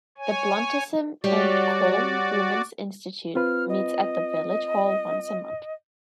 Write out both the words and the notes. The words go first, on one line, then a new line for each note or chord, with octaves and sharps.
The Bluntisham and Colne Women's Institute meets at the village hall once a month.
C#5 G#5
G3 F#4 G4 C#5 D5
C4 F4 B4 F6
D#5